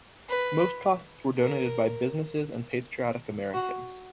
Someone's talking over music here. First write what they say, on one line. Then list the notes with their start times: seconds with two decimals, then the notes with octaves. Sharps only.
Most costs were donated by businesses and patriotic Americans.
0.29 B4
1.37 A#4
3.54 F#4